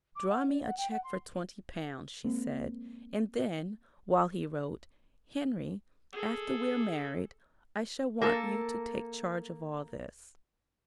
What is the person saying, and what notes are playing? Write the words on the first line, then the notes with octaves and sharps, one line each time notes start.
'Draw me a cheque for twenty pounds,' she said; and then, while he wrote: 'Henry, after we're married, I shall want you to take charge of all this.'
D6
F#5
D5
F#5
G5
F#5
C6
G#3 A#3 C4
G#4 A4
A#3 A4